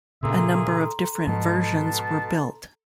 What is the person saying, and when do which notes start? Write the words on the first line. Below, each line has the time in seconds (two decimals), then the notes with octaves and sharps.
A number of different versions were built.
0.23 A#2 C#3 A#3 G#4 A4 E5 A#5 C6
1.27 G#2 B2 F3 A5